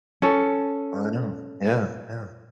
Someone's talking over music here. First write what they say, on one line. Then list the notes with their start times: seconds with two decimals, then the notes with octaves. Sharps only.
I know. Yeah, yeah.
0.22 C#4 A4